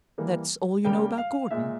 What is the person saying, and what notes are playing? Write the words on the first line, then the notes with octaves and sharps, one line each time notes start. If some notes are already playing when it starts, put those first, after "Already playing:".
"That's all you know about Gordon?"
E3 G3 A#3
C#3 G3 A#3 G5
F5
A#2 G#3 E5